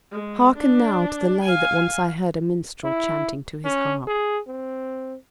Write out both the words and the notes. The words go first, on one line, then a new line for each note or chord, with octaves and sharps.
Hearken now to the Lay that once I heard a minstrel chanting to his harp.
G#3
D4
F5 G#5
E4
C#4
G#4
C4